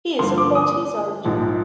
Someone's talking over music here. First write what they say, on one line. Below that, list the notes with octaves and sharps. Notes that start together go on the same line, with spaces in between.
He is of Maltese origin.
G2 D3 F3 A#3 C6
D6
D#6
A#1 G#2 F3